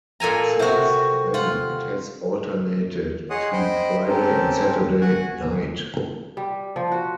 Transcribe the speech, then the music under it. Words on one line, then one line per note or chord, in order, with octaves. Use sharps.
Since then it has alternated between Friday and Saturday night.
A#2 A4 G#5 A#5
C3 F#4
F4 F#5
G#4 C#5 D#5 F#5 C6 D#6
C5 D#5 G5 B5
C4 C#4 G4 A4 A#4
F#4 F#5 G#5
G3
F3
F#4